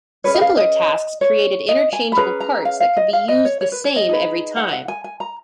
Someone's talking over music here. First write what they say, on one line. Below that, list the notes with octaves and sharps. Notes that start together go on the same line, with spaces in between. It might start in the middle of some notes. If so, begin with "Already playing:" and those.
Simpler tasks created interchangeable parts that could be used the same every time.
C#4 G#4 B4 C#5
D#5
F5
D#5
C#5
D#5
G#5
B5
C#4 G#4 B4 A#5
A#5
F5
F5
D#5
F5
D#5
C#5
C#5
B4
C#5
D#5
D#4 G#4 B4
F#5
F#5
G#5
G#5
A#5